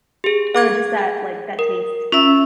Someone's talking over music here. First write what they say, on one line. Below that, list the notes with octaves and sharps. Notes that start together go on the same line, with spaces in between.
or just that, like, that taste.
G4 G#4
G#4 D6 G#6
A#4
C#4 F4 E5 E6